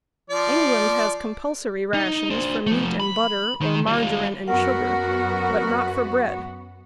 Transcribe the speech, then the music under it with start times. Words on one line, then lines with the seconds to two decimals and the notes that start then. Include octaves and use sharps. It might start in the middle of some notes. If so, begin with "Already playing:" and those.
England has compulsory rations for meat and butter or margarine and sugar, but not for bread.
0.30 F3 D5
1.94 D#4
2.30 D4 C5
2.67 F3 A3
3.00 B5
3.61 D#3
3.87 G3 F4
4.48 F#2 B3 F#4 A#4 F#5